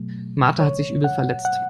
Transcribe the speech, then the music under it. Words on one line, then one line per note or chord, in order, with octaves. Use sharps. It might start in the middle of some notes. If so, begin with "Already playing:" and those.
Martha hat sich übel verletzt.
Already playing: B2 F#3 A3
C#5
F#5
F#5